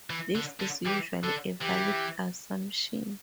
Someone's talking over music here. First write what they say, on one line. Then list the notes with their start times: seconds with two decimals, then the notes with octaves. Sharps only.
This is usually a valid assumption.
0.10 E3
0.35 D3
0.60 D3
0.86 E3 G4
1.24 D3 A4
1.61 E3 G4